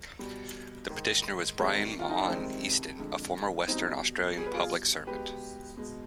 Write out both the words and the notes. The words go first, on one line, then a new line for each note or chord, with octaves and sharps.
The petitioner was Brian Mahon Easton, a former Western Australian public servant.
B2 G3
G#2 D#3 G#3
F2 C3 D#3 G3 G#3 C4
F4
D#4
D4
F2 C3 D#3 G3 G#3 C4
F2 D3 G#3
B2 G3 C4 D#4
B2 G3 G#4
B4
F4 G#4
B2 G#3 G4 B4
B2 G#3